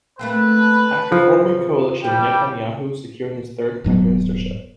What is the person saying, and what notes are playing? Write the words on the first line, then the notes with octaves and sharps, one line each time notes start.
After forming a coalition, Netanyahu secured his third prime ministership.
A3 A#3 C4 B4 A5
F2 C#3 E3 F3
E2 C3 G3 G5
D#1 G#2 F#3 B3